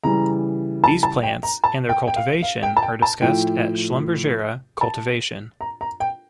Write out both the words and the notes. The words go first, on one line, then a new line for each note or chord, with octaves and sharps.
These plants and their cultivation are discussed at "Schlumbergera:" Cultivation.
C#3 E3 G3 A#5
A5
A5
G5
A#5
A5
G5
G5
F5
F5
G5
A5
G5
A5
A2 F3 G5
A5
A#5
A#5
G5